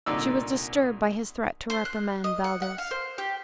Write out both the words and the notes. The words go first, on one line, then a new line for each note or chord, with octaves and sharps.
She was disturbed by his threat to reprimand Baldos.
C2 A#2 D3 D#4 D5 E6
C5
F#6
D#5
F#5
F#5
F5
C5
G4